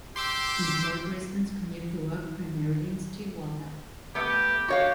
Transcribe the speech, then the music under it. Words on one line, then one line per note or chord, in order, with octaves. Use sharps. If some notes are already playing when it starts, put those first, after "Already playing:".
Employed residents commute to work, primarily in Stillwater.
G4 C6 D6 E6
A3 B3 G4
F#4 G4 C#5 F5